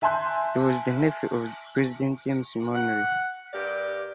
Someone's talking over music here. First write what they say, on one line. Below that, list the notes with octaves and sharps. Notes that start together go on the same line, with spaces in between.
He was the nephew of President James Monroe.
E5 G#5 A5 C6 F#6 G6
F#5
G2 G4 A#4 D5